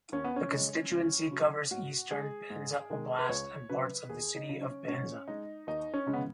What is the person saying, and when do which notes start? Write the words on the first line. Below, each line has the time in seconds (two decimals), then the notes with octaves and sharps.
The constituency covers eastern Penza Oblast and parts of the city of Penza.
0.12 D#2 C#4
0.24 B3
0.36 C#4
0.51 C#3 G#3
0.91 C#2
1.31 C#3 F#3
1.71 G#2 F#4
2.11 G#3 G#4
2.50 G#2
2.90 D#3 G#3
3.19 B4
3.29 C#2 C#5
3.69 C#3 F#3 B4
4.09 D#2 G#4
4.36 D#4
4.49 C#3 F#3
4.61 C#4
4.88 G#2 C#4
5.28 G#3 D#4
5.67 D#2 D#4
5.94 C#4
6.07 C#3 G#3
6.13 B3